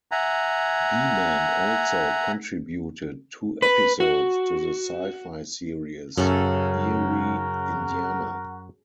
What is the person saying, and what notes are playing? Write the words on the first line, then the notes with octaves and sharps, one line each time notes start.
Beeman also contributed two episodes to the sci-fi series "Eerie, Indiana".
E5 F#5 G#5 A#5
B4
F#4
F#2 C#3 F#4 A4 A#4 F#5